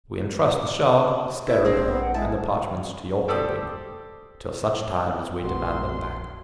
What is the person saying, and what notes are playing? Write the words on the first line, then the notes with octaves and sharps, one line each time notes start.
We entrust the sherd, the scarab, and the parchments to your keeping, till such time as we demand them back again.
D1 E4
A#1 A#3 C4 D4 G#4 C5
B3 A#4
F#5
G#3 E4 A5
G4 A4 C5 D5 D6 D#6
A#1 A3 F#4 A#4 C6